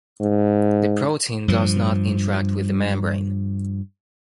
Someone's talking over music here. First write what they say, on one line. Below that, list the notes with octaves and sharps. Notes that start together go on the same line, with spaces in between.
The protein does not interact with the membrane.
G#2
G2 F3